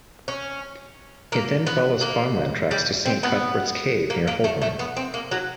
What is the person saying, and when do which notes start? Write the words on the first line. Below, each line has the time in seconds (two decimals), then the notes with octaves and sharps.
It then follows farmland tracks to Saint Cuthbert's Cave near Holburn.
0.28 C#4
1.32 A#3
1.67 B3
2.01 A#3
2.71 G3
3.06 C4
3.23 B3
4.10 A#3
4.27 A#3
4.44 A3
4.62 A3
4.79 B3
4.97 C4
5.14 A#3
5.31 F#3